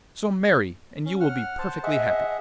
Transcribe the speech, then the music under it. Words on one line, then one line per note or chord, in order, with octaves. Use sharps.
So marry, and you will be perfectly happy.'
C#4
F#5 F6
C5 A5
G#4 D#5 E5 F#5